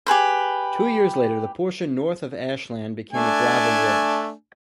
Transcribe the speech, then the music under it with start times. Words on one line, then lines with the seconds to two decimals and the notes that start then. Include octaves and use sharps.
Two years later, the portion north of Ashland became a gravel road.
0.07 G4 G#4 B4 C5
3.13 A3 D4 G#5